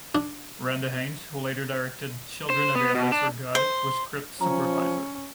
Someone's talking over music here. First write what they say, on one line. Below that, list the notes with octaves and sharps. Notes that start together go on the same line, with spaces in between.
Randa Haines, who later directed "Children of a Lesser God", was script supervisor.
D4
C5
B3
B2
D4
C5
F3 C#4 A#5